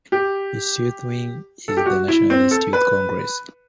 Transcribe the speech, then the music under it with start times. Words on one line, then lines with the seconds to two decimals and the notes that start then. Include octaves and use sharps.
Its youth wing is the Nationalist Youth Congress.
0.12 G4
1.68 A4
1.77 G4
1.86 F#4
2.08 E4
2.30 C4
2.51 A4
2.73 B4